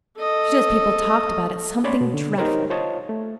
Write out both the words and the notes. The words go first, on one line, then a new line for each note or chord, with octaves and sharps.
She says people talked about it something dreadful.
A4 D#5
A3 C#4 C#5 D5 B5 C6
B2
D3
D#4 G4 A#4 C5 C#5
F4 C5 C#5 D#5 A5
A3